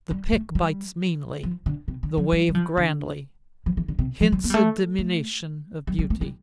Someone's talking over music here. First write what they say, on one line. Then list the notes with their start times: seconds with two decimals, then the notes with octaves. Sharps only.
The pick bites meanly, the wave grandly; hence a diminution of beauty.
0.11 G3
0.33 A3
0.55 G3
1.43 F3
1.66 D3
1.88 C3
2.03 D3
2.17 F3
2.33 G3
2.49 G3
2.55 F3
2.77 D3
3.66 F3
3.77 E3
3.88 D3
3.99 C3
4.21 F3
4.32 G3
4.44 A#3
4.50 G3
4.54 A3
4.99 A3
5.87 G3
5.99 G3
6.10 A3
6.21 G3